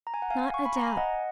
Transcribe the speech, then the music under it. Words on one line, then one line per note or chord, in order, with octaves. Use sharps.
Not a doubt.
A#5
G#5
F#5
F5 G#5
C#6
B5
A#5
G#5
D#5 F#5